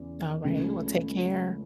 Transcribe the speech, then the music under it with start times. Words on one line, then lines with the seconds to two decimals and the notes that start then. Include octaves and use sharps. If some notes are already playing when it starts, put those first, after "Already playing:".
Alright. Well, take care.
Already playing: E2 C#3 E3
0.44 C#2 C#3 F3 A3